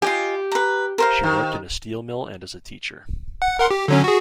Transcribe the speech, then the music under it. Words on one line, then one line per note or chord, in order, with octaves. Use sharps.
She worked in a steel mill and as a teacher.
F4 G4 D#5 G#5
B4 A#5
A#4 C5 F5
D#3
F#5
A#4 F#5 C6
G4
D3 F#3 C#4
F#4 G#4